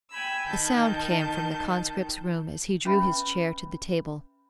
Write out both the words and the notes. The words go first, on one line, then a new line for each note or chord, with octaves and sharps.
A sound came from the conscript's room as he drew his chair to the table.
G5 G#5 B5 E6
D#3 A5 G6
C#4 B4 E5 B5